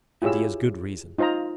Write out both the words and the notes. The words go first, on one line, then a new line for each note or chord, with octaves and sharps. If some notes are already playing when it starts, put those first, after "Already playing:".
And he has good reason.
E4 F4 G4 G#4 C#5 E6
D#4 F4 C5 D#5 A#5